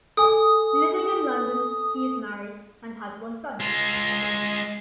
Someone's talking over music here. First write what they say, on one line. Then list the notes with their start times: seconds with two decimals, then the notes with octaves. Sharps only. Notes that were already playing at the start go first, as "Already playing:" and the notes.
Living in London, he is married and has one son.
0.17 A4 G#5 D#6
3.60 G#3 F4